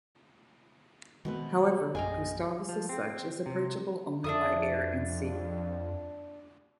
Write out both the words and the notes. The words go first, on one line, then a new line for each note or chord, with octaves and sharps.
However, Gustavus as such is approachable only by air and sea.
B2 D#3 G#3 A3 C4 B4
A#1 F#2 G#3 G#4 D#5 F5 G5 G#5
F3
C4
C3
F2 D4 E5 D#6